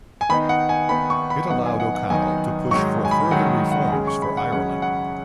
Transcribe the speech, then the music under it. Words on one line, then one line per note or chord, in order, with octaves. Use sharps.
It allowed O'Connell to push for further reforms for Ireland.
G#5
D#3 B3 D#4 B5
F#5
G#5
D#3 B3 D#4 B5
C#6
B5
F#2 D#3 B3 D#4 F#5
G#5
F#5
F#5
F#2 D#3 B3 D#4 G#5
G#2 D#3 F#3 D#4 C#6
G#5
B5
G#2 D#3 F#3 D#4 F#5
F#5
F#2 C#3 G#3 C#4 G#5
C#6
B5
F#5
F#2 C#3 G#3 C#4 F#5
F#5